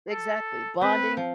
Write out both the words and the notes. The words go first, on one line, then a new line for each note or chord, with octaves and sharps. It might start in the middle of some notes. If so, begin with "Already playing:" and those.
Exactly, bonding
A4
C4 B4
F3